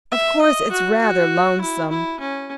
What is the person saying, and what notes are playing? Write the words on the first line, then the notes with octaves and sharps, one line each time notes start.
Of course, it's rather lonesome.
E5
D#5
F#4
F#4
E4
E4
C#4